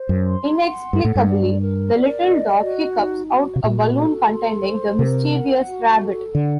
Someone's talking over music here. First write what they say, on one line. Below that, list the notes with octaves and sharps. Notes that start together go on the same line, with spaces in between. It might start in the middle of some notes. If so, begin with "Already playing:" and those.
Inexplicably, the little dog hiccups out a balloon containing the mischievous rabbit.
Already playing: C5
F#2
C6
F#5
G2 A4
A2
G2
D5
A#4
D5
D#5
F#4
D#4
F#4
C3
A#2 F#4
A4
C6
C5
C3 A#4
F#5
F#4
A4
D3 F#5